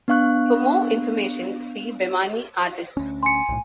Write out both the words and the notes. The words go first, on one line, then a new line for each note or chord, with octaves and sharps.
For more information, see Bemani artists.
B3 D4 F5 C#6 F#6
D2 C#4
G#5 C6 C#7
B1 A2